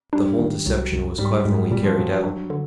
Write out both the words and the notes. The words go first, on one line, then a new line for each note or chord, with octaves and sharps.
The whole deception was cleverly carried out.
G3 D4
D#3
C2 F#3
C2
G#2 G3
G#2 G#3
A#2 G3
F3
A#2 F#3
F#3
F#3 D4
D3